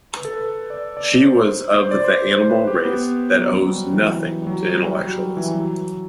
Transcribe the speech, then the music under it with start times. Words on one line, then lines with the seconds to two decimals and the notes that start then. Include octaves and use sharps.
She was of the animal race that owes nothing to intellectualism.
0.16 B4
0.25 A4
0.33 B4
0.70 D5
0.97 D5
1.24 C5
1.77 C5
1.91 D5
2.04 C5
2.31 C5
2.50 B4
2.67 G4
2.85 B3
3.39 F#3
3.66 G3
3.93 E3
4.42 G3
4.47 F#3
4.74 G3
4.93 G3
5.01 F#3
5.37 E3
5.55 F#3